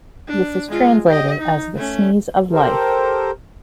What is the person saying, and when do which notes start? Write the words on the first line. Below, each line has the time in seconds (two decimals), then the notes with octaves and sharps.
This is translated as the 'Sneeze of Life'.
0.28 D4
0.69 G#3 F4
1.07 G4 D#5
1.38 D#4
1.76 A3 C#4
2.52 G4 A4 A#4 C5